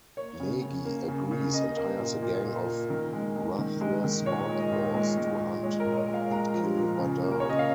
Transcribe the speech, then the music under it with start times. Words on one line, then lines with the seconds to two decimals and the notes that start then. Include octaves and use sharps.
Negi agrees and hires a gang of ruthless outlaws to hunt and kill Badal.
0.17 A#3 C#5
0.40 C#3
0.62 C#3
0.85 A#3
1.08 C#3
1.31 C#3
1.53 A#3 D#5
1.76 A#3
1.99 A#2
2.22 A#2
2.44 A#2
2.67 A#3
2.90 D#3 A#4
3.13 G#3
3.35 G#3
3.58 D#3
3.81 G#3
4.04 D#3
4.26 A#2 C#5
4.49 G#3
4.60 D#5
4.72 A#2
4.95 G#3
5.17 G#3
5.40 A#2
5.63 G#3 C#5
5.80 A#4
5.85 A#2
5.92 D#5
5.97 C#5
6.08 G#3
6.14 F5
6.31 G#3 A#5
6.54 F3
6.77 A#2
6.99 C#3
7.22 A#3
7.31 A#4
7.40 C#5
7.45 C#3 D#5
7.59 F5